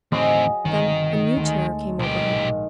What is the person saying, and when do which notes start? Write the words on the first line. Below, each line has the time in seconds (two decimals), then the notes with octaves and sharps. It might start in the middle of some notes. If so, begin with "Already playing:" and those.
Then a new terror came over her.
0.12 E2 A2 D3 D#3 F#3 C4 G#4 D#5
0.65 G1 C3 D#3 D#4
1.37 D2 G#3 A3 A4
1.99 B1 D#3 G4
2.31 A#1 G#2